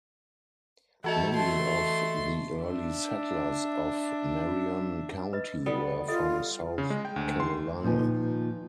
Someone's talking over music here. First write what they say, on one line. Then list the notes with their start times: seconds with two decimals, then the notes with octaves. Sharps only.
Many of the early settlers of Marion County were from South Carolina.
1.04 E3 A3 F#4 A4 D#5
1.34 A3 C6
2.61 D4 E5
5.33 B4 D#5
5.66 G3 B3 A4
6.08 F4 A4 D#5
6.78 C#3
6.90 G#3
7.05 G5
7.16 D2
7.40 C6
7.83 D#2 A#2 F3 D#4 B4 G#5